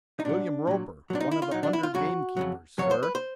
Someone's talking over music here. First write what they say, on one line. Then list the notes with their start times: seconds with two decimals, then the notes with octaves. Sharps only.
"William Roper, one of the under-gamekeepers, sir."
0.20 D#4
0.25 A#2 F#3 D4
0.67 A#2 F#3
1.10 A#2 F#3 D4
1.20 D#4
1.31 E4
1.42 F4
1.51 A#2 F#3 D#4
1.63 D4
1.73 E4
1.83 F4
1.94 F2 C#3 F#3 F#4
2.37 F2 C#3 F#3
2.78 F2 C#3 F#3 C#5
2.91 C5
3.03 B4
3.15 C5